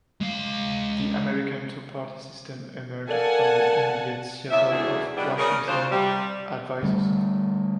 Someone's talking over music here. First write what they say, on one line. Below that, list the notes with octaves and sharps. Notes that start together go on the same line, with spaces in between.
The American two party system emerged from the immediate circle of Washington advisers.
G#3 F5
A4 A#4 D5 F5 F#5 G#5 A5
E2 C#3 E5
E2 B2 D3 E4 G#4
B2 G3 B3 D4
C#3 D#4 A#4
D2 D4 F4 C5
C3 G3
D3 G3 A3